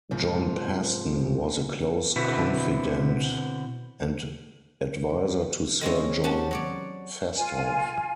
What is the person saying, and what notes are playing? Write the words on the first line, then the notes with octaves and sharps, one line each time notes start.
John Paston was a close confidante and advisor to Sir John Fastolf.
G#2 C3 F3
B2 D3 C4 E4 F#4 B4
D#3 G#3 C4 C#4
C#4 F#4 G4 A5
F#3 C#5 D5
F4 G#5